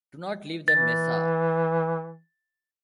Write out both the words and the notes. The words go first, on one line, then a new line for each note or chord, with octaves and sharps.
Do not leave the mesa.
E3 A6